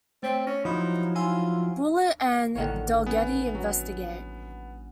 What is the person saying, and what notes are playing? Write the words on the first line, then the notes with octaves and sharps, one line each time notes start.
Bullitt and Delgetti investigate.
A3 C4 C#5 B6
C#4 A#6
F3 F#3 D#4 E4 B5 C6
D#4 F4 G#5 E6
A1 D3 D#3 A#3 C#5 F#5
B3 C#4 G#5
F#3